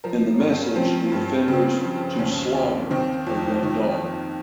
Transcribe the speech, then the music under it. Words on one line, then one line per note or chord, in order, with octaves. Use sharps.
In the message the offenders to "slaughter" her young daughter.
F3 A#4
G2 C#4
C#4
F3 C4
G2
C#3 C4
F3
D#2 C#4
D#2
D#3 C4
F2
D#3
F2